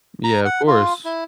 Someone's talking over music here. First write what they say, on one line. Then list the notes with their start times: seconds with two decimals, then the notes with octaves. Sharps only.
Yeah, of course.
0.24 A#5
0.45 F#5
0.67 F4
1.05 E4